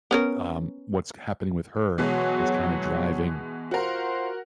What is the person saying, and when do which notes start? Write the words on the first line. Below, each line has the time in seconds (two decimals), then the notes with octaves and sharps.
Um, what's k happening with her is kinda driving
0.11 B3 C#4 A#4
1.98 B2 E3 F#3 G#3
3.71 F4 F#4 A#4 C5